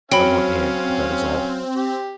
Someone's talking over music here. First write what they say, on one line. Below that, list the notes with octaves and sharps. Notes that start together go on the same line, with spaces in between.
"I want air, that is all."
F#3 C4 C#4 F5 G5 B5
G4